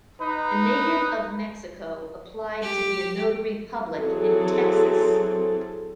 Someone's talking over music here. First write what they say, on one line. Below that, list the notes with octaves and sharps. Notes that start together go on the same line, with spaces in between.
A native of Mexico applied to be a notary public in Texas.
D#4 B4
G4
E3 F#3 C4 G#4 A4